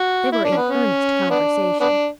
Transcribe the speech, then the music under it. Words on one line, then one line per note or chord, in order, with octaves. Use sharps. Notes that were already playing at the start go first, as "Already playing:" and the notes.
They were in earnest conversation.
Already playing: F#4
E4
D4
C#4
B3
C#4
B3 D4
B3 D4